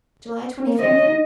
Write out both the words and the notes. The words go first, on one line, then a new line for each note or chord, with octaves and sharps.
July Twenty-fifth.
C4
A#3
C4 D#5
C#4
D#4